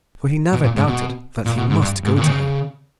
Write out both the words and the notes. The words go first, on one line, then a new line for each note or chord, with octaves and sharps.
For he never doubted that he must go to her.
B2
A#2
G#2
B2
A#2
B2
G#2
G2
G#2
A#2
D#3
C#3